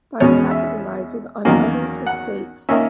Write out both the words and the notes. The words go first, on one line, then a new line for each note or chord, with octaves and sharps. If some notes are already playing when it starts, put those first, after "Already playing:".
By capitalising on other's mistakes.
E2 B2 G#3 C#4 C#5
E5
E2 D#3 F#3 A#3 C#4
F#5
D#3 A#3 C#4 E5